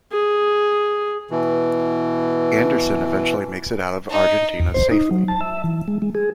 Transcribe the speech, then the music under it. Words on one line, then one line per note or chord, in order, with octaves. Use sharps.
Anderson eventually makes it out of Argentina safely.
G#4
B2 E3
D#4
E2
C5
D#4
F#3
A5
E5
E3
G#3
G#3
G#4